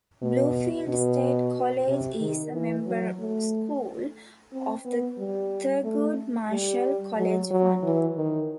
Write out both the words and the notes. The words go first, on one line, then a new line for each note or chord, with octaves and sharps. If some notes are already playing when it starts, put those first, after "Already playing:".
Bluefield State College is a member school of the Thurgood Marshall College Fund.
B2
B2
C3
D#3
E3
F#3
A3
C4
B3
G3
A3
G3
F#3
F#3
E3
D#3